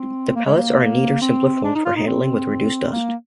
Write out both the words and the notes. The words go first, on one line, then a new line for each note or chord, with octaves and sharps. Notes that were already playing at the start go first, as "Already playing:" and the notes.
The pellets are a neater, simpler form for handling, with reduced dust.
Already playing: C4
A#3
G#3
A#3
C4
D4
D#4
F4
D#4
C4
C4
A#3